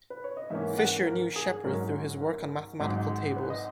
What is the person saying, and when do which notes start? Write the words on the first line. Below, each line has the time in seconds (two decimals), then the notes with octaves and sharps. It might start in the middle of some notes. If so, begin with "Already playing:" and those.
Fisher knew Sheppard through his work on mathematical tables.
0.10 B4
0.24 C#5
0.37 D#5
0.50 G#2 E3 A#3 C#4 E5
0.79 F#5
1.07 A#4
1.36 G#4
1.64 G#1 G#2 F#3 C#4 A#4
2.22 A#4
2.80 G#1 G#2 F#3
3.36 B4
3.50 D#5